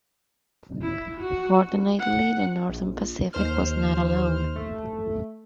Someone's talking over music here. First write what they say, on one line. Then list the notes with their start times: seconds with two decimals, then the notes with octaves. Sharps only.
Fortunately, the Northern Pacific was not alone.
0.82 E4
1.21 F#4
2.00 F#5
2.69 A#1
3.33 D#2 C5 F6
4.56 A3